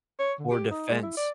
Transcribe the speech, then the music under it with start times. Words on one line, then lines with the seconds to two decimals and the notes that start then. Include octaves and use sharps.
Or defense.
0.19 C#5
0.39 D3
0.51 G4
0.71 D#4
0.91 G#3
1.03 E4
1.17 D5